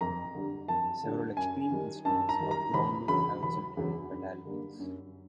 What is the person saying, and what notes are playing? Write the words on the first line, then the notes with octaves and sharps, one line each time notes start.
Several extreme incidents of ground loop have resulted in fatalities.
F2 A#5
D3 G3
F2 A5
D3 G3
F#2 G#5
D#3 G3
F#2 A5
A#5
D#3 G3
A#5
E1 B5
E2 C#3 F#3 B5
E1 B5
E2 C#3 F#3
F#2
D3 G3 A#3
F#2